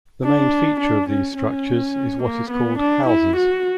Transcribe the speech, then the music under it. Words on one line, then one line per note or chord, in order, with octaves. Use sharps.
The main feature of these structures is what is called 'houses'.
D4
D4
C#4
C#4
A#3
B3
D4
E4
F#4